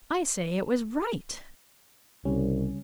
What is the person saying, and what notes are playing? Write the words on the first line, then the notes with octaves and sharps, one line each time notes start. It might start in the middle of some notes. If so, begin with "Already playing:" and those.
'I say it was right.
C2 C#3 G3 C#4